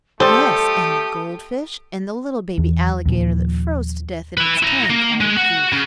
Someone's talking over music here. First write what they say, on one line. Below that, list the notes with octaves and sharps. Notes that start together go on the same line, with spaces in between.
"Yes, and the gold-fish, and the little baby alligator that froze to death in its tank," added Keith.
G3 A3 G4 A4 C5 D#6
E2 E3
D#2 A#2 F3
E4 B4
E4 A#5
A#3
G#3
F#4
C#3